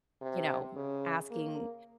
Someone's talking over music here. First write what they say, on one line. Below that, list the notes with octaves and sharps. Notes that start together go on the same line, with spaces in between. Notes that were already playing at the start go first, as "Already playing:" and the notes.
"you know, asking
C3
C#3
A#3